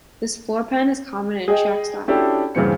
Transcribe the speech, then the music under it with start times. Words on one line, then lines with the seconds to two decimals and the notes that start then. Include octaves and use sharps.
This floor plan is common in Chaac style.
1.48 G#4 D#5 G5
2.08 C#4 D4 E4 F#4 G4 A4
2.55 D#1 G2 C#3 E3 C4 C#7